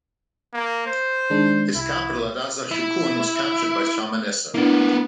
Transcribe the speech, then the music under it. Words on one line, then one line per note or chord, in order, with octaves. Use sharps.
His capital at Arzashkun was captured by Shalmaneser.
A#3
C5
D#3 G#3 D4
C2 E4
E4
A#3 B3 D4 E4